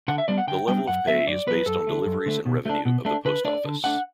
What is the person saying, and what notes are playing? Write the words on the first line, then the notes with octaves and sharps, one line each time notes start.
The level of pay is based on deliveries and revenue of the post office.
D3 F#5
E5
G3 B3 D4 D5
F#5
D3 G5
G3 B3 D4 G5
F#2 F#5
F#3 B3 E5
F#2 D5
F#3 B3 B4
F#2 A4
D3 A3
F#2
D3 A3
B2
A3 D4
B2
A3 D4
D3 B4
A3 D4 D5
D3
A3 D4 F#5